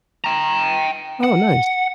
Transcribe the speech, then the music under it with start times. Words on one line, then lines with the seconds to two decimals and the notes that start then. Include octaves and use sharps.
Oh, nice.
0.24 G5 A#5
1.23 F#5